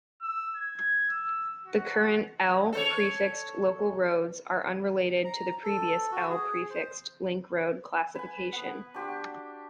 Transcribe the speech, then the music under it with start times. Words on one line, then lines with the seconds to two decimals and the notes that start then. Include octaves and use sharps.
The current "L"-prefixed local roads are unrelated to the previous "L"-prefixed link road classification.
0.22 E6
0.57 G#6
1.11 E6
1.67 F#4
2.73 A4 C5 C#5
5.25 A#5
5.63 A4
6.11 F#4
6.30 G#4
6.70 C5
8.15 B4 G#5
8.52 B3 F#5
8.94 D4 F#4 G4 C6